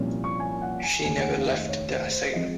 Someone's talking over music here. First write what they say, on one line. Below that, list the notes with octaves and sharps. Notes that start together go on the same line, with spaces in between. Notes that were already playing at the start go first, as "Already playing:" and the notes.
She never left the asylum.
Already playing: C2 A#2 F3 A#3 C#4
C#6
G#5
F#5
G#5
F1 D#2 D#3 G#5
F#5
F5
D#5
C#5
C5
C5
F3 G#3 C4 D#5